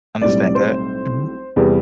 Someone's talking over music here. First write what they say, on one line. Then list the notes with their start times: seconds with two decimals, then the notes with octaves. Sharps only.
understand that, mhm.
0.21 B1 A2 G3 C4 D5
0.55 C5
1.56 E2 C3 G3 B3